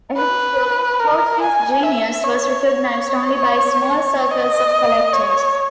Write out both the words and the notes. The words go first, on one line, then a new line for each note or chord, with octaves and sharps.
Initially, Poussin's genius was recognized only by small circles of collectors.
B4
A#4
G#5
E5
C#5
C#5
D#5
C#5